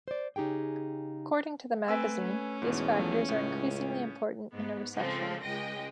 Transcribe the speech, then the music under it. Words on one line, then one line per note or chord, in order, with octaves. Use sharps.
According to the magazine, These factors are increasingly important in a recession.
C5 D5
C#3 D#4 G4 G#4 G5
A3 C4 B4 G#5 E6
C#4
E2 G#2 B2
F3 F#3 A3
C#2 A2
G#2 B3
C#3 F3 G#3 C4 A4
C#2 G#3 D#5 G5 A#6